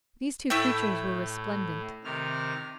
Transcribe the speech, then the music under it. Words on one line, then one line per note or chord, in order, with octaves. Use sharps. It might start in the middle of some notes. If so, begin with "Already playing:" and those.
These two creatures were resplendent.
A2 A3 E4 G5
C3 D#3 F6